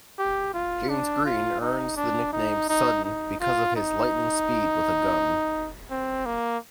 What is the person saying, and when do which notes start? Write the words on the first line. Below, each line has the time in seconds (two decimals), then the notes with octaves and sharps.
James Green earns the nickname "Sudden" because of his lightning speed with a gun.
0.18 G4
0.54 F4
0.89 D4
1.25 F4
1.61 D#4
1.96 D4
2.33 D#4
2.69 D#4
3.04 D#4
3.40 F4
3.76 D#4
5.91 C4
6.26 A#3